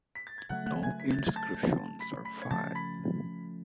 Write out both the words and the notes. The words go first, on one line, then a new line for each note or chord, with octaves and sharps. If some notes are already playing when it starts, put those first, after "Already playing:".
No inscription survives.
B6
A6
G#6
C#3 F#3 A3 F#5 F#6
F#5 F#6
G#5 G#6
B6
A6
G#6
A5 A6
B5 B6
B5 B6
G#6
C#3 F3 A3 C#4 A5 A6
B5 B6